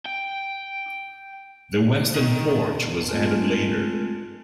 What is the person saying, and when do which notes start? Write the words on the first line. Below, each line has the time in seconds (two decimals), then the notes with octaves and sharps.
The western porch was added later.
0.05 G5
2.15 D#3
3.09 G#3 A3 C4 F4